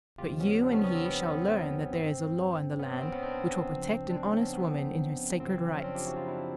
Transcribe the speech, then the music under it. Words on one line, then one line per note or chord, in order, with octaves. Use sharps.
But you and he shall learn that there is a law in the land which will protect an honest woman in her sacred rights.
D#2 C#3 F3 G#3 F4 G4
B3 C#4
C4 D4
B3 C#4
B3 C#4
C4
B3
G2 E3 G#3 C4
B3 C#4
C4
C4
B3 C#4
C4 D4
C#2 C#3 F3
C4 D4
B3 C#4
C4
B3
F#2 C#3 F3 C4
C#4
C4 D4
F4 G4
E4 F#4
D#4 F4
D4 E4